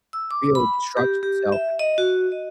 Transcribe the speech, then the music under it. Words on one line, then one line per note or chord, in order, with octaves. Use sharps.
real destruction. So
E6
D6
B5
G4
G4
E5
D#5
F#4
D#5